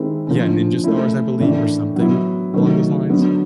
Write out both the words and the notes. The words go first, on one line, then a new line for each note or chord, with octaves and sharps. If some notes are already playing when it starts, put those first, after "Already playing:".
Yeah, ninja stars, I believe, or something along those lines.
Already playing: D#3 G#3 C4 E4 G4
D3 F3 A#3 C#4
A3 C#4 E4
A2 E3 A3 D4
F#3 B3 E4
D#3 F#3 A3
D3 F#3 B3